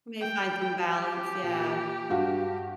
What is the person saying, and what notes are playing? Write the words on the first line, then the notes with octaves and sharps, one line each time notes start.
We may find some balance, yeah.
G5
G4
A#2
G2 F#4 F5